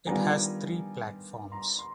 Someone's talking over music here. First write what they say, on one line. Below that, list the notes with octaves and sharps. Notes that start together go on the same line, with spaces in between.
It has three platforms.
D#3 G3 B3 D4 F4 G#5 A#5
A#5 C6
C6